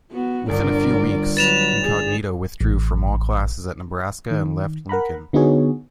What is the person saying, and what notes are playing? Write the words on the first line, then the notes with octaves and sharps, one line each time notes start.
Within a few weeks, Incognito withdrew from all classes at Nebraska and left Lincoln.
B3 F#4
G1 A#4 D5
F#3 B4 A6 E7 F7
G#4
A1
D#3
A#4 F#5 A#5 B5
D3 B3 D#4 F#4 G#4 C#5